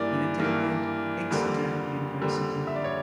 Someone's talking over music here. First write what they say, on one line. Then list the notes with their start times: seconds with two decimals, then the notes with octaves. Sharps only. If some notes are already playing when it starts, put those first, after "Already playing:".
He attended Exeter University.
Already playing: G2 E3 A#3 D5
0.40 G2 E3 A#3
1.31 F2 D3 G3 A#3
2.21 F2 D3 G3 A#3
2.67 E5
2.75 D5
2.84 C#5